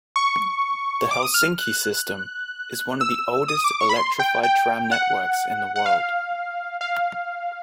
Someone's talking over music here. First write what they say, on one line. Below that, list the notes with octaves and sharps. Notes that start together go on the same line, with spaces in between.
The Helsinki system is one of the oldest electrified tram networks in the world.
C#6
D6
D#6
F6
F#6
E6
D#6
D6
C#6
B5
C6
G5
G5
F#5
F#5
F5
F5